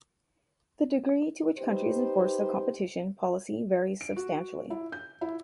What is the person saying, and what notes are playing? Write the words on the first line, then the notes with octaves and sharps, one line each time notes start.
The degree to which countries enforce their competition policy varies substantially.
D#4 G4 B4 C5
D7
F#4
E4
G6
E4